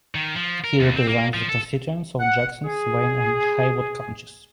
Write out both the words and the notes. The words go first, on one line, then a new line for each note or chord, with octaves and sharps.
He represents the constituents of Jackson, Swain and Haywood counties.
D#3
F3
A#4
D#2
C4
A#3
F3
A4
F#5
G#4